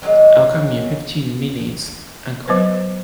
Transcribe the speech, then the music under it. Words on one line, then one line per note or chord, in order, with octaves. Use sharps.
I'll come in fifteen minutes, uncle.
D#3 F#3 G#3 A#3
F#3 B3 B4 C5